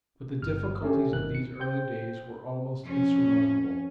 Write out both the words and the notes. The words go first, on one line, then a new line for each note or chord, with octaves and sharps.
But the difficulties of these early days were almost insurmountable.
G1 F6
A3 C#4 G4
G1 D#3 F#6
C#7
C5 G5 G6
F2 C#4